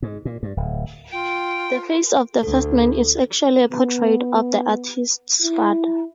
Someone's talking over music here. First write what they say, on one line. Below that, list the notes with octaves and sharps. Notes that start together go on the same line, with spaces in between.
The face of the first man is actually a portrait of the artist's father.
G#2
A#2
G2
D1
F4 G5
D2 A4
B3
E4